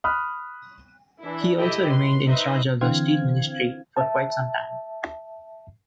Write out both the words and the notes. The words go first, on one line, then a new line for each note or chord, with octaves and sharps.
He also remained in charge of the Steel Ministry for quite some time.
B5 D#6 F6 F#6
E3 D4 E4
E4 G4 A4 D#5 G5
B4 C6
D#4 B4 C5 D#5 E5
D3 E3 C4 F5 G#6
E5 A5